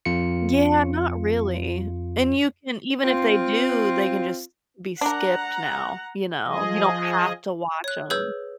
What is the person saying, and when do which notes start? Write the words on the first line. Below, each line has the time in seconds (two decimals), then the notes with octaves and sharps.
Yeah, not really. And you can even if they do, they can just be skipped now, you know, you don't have to watch 'em.
0.05 F2 F4 C#7
3.04 C4 F4
5.01 D4 A#4 F#5 A#5
6.45 F3 G#4 D#5
7.84 C#5 F#6
8.10 G#4 B4 C#5 E6 G6